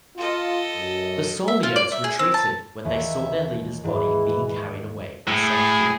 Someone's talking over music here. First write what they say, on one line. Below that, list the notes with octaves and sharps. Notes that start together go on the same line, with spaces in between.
The Souliotes retreated when they saw their leader's body being carried away to safety.
F4 A4 D#5
F#2
E5
F4
D5
E5
G#4
C4
A5
D#2 E3 E5
G#2 E3
A2 G#4